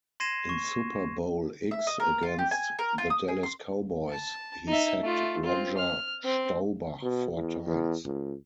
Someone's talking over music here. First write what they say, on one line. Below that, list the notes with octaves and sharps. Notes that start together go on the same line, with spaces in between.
In Super Bowl X against the Dallas Cowboys, he sacked Roger Staubach four times.
C6 G#6 A#6 C7 D#7 E7
C#6
E5
D#5
A#4
F4
G4
G#5
A#4
F4
D#6
G#4
C6
A5
D#4 E5
A3 F4
C4 F4
F6
C4
B2
E2
E2
C#2